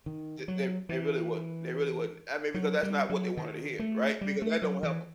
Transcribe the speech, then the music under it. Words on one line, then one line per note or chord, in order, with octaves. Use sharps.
They they they really wouldn't. They really wouldn't. I mean, because that's not what they wanted to hear, right, because that don't help 'em.
D#3
F#3
E3
F#3
G3
F#3
D#3
A3
G3
A3
F#3
E3